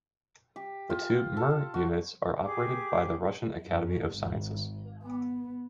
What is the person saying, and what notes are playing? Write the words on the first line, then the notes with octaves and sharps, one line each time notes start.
The two "Mir" units are operated by the Russian Academy of Sciences.
G4
F4
A4
F#4
G4 G#4 D6
F#2
G#1
B3